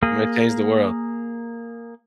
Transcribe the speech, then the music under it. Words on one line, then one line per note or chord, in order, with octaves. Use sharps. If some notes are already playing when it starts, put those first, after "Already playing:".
I'm gonna change the world.
A#3 G#4